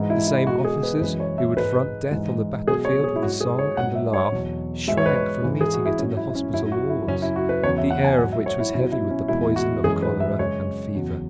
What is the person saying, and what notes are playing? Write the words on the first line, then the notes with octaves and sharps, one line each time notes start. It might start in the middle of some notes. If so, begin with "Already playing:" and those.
The same officers who would front death on the battlefield with a song and a laugh, shrank from meeting it in the hospital wards, the air of which was heavy with the poison of cholera and fever.
Already playing: G#2 E3 G#3
E4
E4
B2 G#3 F#4
G#4
B4
F#2 E3 G#3 B4
C#5
E5
G#2 G#3 B4
G#2 E3 G#3
B2 F#3 G#4
C#5
G#4
E4
G#2 F#3 F#4
G#4
C#5
G#2 F#3 F#5
E5
C#5
E2 B2 F#3
G#2 E3 G#3 E5
C#5
B4
C#5
G#2 E3 G#3
G#4
F#4
E4
G#2 F#3 C#4
E4
E4
C#4
F#2 F#3 E4
F#4
E4
F#2 C#3 F#3 C#4
E4
F#4
B4
E2 C#3 F#3 C#5
E5
F#5
G#5
G#2 F#3 F#5
E5
C#5
E4
B2 F#3 E4
E4
C#4
E2 B2 G#3 E4
F#4
F#2 E3 G#3 G#4
B4
E5
F#2 C#3 G#3 C#5
E2 C#3 F#3